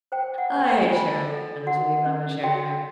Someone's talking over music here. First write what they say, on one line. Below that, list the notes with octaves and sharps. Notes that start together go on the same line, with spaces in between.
I hate sharing this with you, but I'm gonna share it anyway.
C5 G5
F#5
C5
G5
F4 G#5
A4
F#4 F#5
C#4
F#4 G5